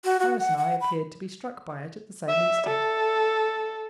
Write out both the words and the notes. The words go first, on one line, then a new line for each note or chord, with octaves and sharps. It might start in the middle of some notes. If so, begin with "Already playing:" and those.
Harris and I appeared to be struck by it at the same instant.
F#4
F#4
F#5
F#5
B5
E5
A4